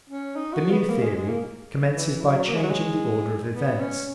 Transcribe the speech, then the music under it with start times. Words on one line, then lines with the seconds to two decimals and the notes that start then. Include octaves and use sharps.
The new theory commences by changing the order of events.
0.10 C#4
0.36 D#4
0.53 F#4
0.71 B3
0.89 A#3
1.02 G#3
1.15 G#3
1.29 A#3
1.94 E3
2.21 F#3
2.48 A#3
2.56 G#3
2.63 F#3
2.70 G#3
3.54 B3
3.80 C#4